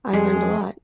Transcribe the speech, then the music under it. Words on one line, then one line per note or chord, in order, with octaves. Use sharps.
I learned a lot.
F2 G#3 G#4